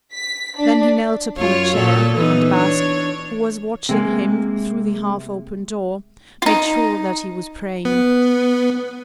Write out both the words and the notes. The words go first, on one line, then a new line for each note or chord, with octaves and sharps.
Then he knelt upon a chair, and Basque, who was watching him through the half-open door, made sure that he was praying.
B6
D4
F#2 F4 C#5
A#2 A4
E3 B3 D#4
D4 C#5
C3 G#3 A#3
D#4 F4
B3